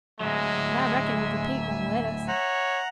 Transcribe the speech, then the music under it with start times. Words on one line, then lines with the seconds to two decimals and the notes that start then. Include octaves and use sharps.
But I reckon Uncle Pete won' let us.
0.20 D2 F#3 G#3 E5 G#5
2.28 C#5 F#5 A#5